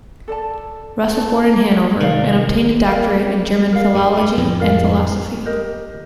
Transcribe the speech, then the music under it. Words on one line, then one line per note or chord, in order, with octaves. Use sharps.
Rust was born in Hannover, and obtained a doctorate in German philology and philosophy.
A4 D5 A5
A4 D5 A5
C3 D#3 A#4 D5 F5
A#4 D5 F5
A#4 D5 F5
G2
G2
F2 A2
A#4 D5 F5
G4 A#4 D#5